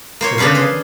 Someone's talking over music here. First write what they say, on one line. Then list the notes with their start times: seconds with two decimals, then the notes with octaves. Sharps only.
but then wha
0.21 A#3 C5 C#5
0.38 C#3 B3 D4 B4 F5
0.55 G#4 C5